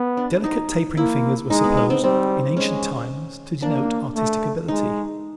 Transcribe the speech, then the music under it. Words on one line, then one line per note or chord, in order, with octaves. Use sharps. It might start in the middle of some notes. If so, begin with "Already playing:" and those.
Delicate tapering fingers were supposed in ancient times to denote artistic ability.
Already playing: B3
D4
D#4
A#3 E4
G#3 D#4
B3
B3
C4
G3 C4
G#3 C#4
A#3 D4
A3
G#3 D#4